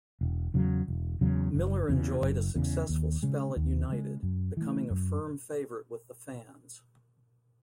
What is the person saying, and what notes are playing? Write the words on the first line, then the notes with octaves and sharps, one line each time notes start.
Miller enjoyed a successful spell at United, becoming a firm favourite with the fans.
E1
E2 C#3 F#3
E1
E2 C#3 F#3
F#1
E2 C#3
F#1
E2 C#3
D#2
C#3 G#3
D#2
C#3 G#3
F#2
E3 A3
F#2